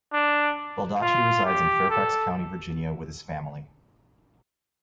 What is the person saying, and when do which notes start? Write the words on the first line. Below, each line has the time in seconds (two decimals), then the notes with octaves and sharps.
Baldacci resides in Fairfax County, Virginia, with his family.
0.13 D4
1.02 F4
1.45 G4
1.90 A4